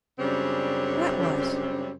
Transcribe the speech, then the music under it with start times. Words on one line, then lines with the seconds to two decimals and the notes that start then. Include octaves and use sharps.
"What was?"
0.19 F#2 C#3 G3 C4 D4 C#5